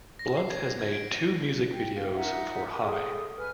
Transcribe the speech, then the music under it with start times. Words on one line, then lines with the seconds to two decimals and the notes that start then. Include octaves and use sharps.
Blunt has made two music videos for "High".
0.19 A#6
0.37 C7
0.50 G#6
0.79 G#6
0.93 D7
1.11 D#7
1.73 G5
1.95 F5
2.13 D#4 F4 E5 F#5
2.83 G#4 A4 D#6
3.38 B4 G#5 F6